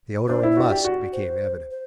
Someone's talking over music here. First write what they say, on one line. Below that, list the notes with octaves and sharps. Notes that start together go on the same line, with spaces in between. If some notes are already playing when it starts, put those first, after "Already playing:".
The odor of musk became evident.
D4 C5
E4
C5
F#4 D5
G4
F#4
C5
C5